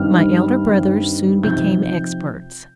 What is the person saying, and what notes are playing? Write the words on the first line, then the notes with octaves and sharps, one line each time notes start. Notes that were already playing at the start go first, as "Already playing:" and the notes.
My elder brothers soon became experts.
Already playing: G2 D#3 G3 C4 F6
G2 D#3 G3 C4
C3 F3 C4 D#4 G6